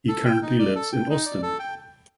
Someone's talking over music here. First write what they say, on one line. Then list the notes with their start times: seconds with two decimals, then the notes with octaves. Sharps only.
He currently lives in Austin.
0.08 A4
0.25 G5
0.42 D#4
0.59 D5
0.75 A4
0.92 G5
1.10 D#4
1.26 D5
1.42 A4
1.59 G5